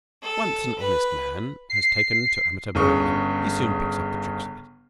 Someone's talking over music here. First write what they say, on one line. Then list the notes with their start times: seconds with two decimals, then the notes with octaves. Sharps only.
Once an honest man has taken to amateur burgling he soon picks up the tricks of it.
0.22 A4
0.79 B4
1.70 C7
2.75 G1 C#3 C#6